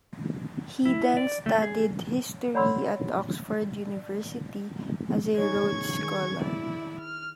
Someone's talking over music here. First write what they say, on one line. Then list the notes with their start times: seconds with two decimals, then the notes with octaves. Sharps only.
He then studied history at Oxford University as a Rhodes Scholar.
0.85 E4
1.17 D5
1.46 A3
1.62 G#4
2.55 C#5 D5 F#5 B5 C6 E6
5.38 D#4 G#4 C#5 C#6 G#6
6.00 D#3 G#4
6.42 E4 D5
6.99 F6